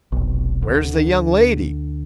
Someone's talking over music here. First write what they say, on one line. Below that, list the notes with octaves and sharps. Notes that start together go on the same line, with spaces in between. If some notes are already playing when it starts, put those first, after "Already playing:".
"Where's the young lady?"
F1 B1
D2 D3